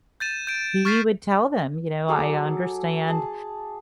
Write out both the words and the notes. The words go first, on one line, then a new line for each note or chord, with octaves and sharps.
he would tell them, you know, "I understand
G6 A6 D#7 E7
G6 D7
C#6 F6 A6 B6 C7 D#7
F#3 G#4 A4 D6
G#4 A5